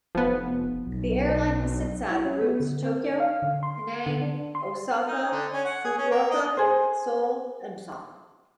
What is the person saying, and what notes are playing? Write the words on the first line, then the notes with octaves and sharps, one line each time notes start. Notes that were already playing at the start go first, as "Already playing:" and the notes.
The airline has since added routes to Tokyo, Penang, Osaka, Fukuoka, Seoul and Busan.
F1 F3 B3
B1
E4
C#4
B3
D3
C4
C#4
F5
D3
C6
D3
D4
C6
D#4
D3
C#4
F#5
G#4
C#4
A#3
D#5
G#4 C5